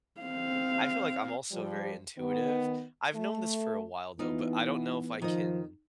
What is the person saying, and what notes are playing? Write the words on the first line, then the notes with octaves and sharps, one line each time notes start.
I feel like I'm also very intuitive. I've known this for a while, though, but I don't know if I can
C4 F5
F3 G3
D#3 B3
A3
E3 B3 D#4 F4
D#3 F3 D#5